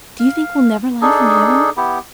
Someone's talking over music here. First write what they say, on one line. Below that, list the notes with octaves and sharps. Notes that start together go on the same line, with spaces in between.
"Do you think we'll never laugh in heaven?"
F5
D4 D#4 G#4 A4
B3 E4 G4